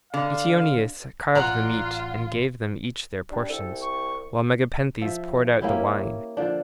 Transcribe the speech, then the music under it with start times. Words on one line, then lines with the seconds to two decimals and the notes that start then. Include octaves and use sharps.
Eteoneus carved the meat and gave them each their portions, while Megapenthes poured out the wine.
0.14 D3 F5
1.35 A1 F4 F#4 D5 F#5 A#5
3.31 G3 D4
3.49 C2 A4
3.82 C#6
5.01 F3 E5
5.61 A#3 C#4 E4 G4
6.37 D3 F3 D4